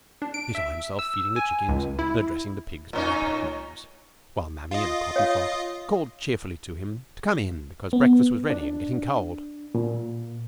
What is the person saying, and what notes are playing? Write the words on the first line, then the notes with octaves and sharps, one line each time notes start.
He saw himself feeding the chickens and addressing the pigs by their pet names, while Mamie, in a cotton frock, called cheerfully to him to come in because breakfast was ready and getting cold.
D4
D7
E5
E6
G#5
C#2
E4
A2 C#4 D#4
F4 D#5
C#5 F5
B3
D4
A#2